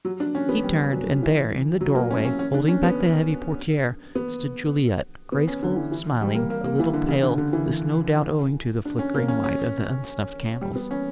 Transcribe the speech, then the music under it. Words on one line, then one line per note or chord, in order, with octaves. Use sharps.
He turned, and there in the doorway, holding back the heavy portiere, stood Juliette, graceful, smiling, a little pale, this no doubt owing to the flickering light of the unsnuffed candles.
F#3
D4
C#4
B3
G3
F#3
E3
F#3
A#3
C#4
C#4
C#4
D4
C#4
B3
B3
B3
C#4
D3
E3
E3
G3
A#3
A#3
A#3
E3
D3
C#3
D3
D3
E3
D4
C#4
A#3
C#4
C#4
G3
B3
C#4